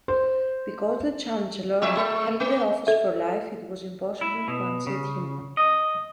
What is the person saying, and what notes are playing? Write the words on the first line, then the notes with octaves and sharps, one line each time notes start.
Because the chancellor held the office for life, it was impossible to unseat him.
C5
F2 F3 E5
G#3
A#3
A4 E5
E4
B2
C#3
D#5